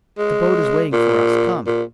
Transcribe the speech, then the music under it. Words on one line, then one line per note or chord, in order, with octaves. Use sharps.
"The boat is waiting for us; come."
G#3
A#2
A#2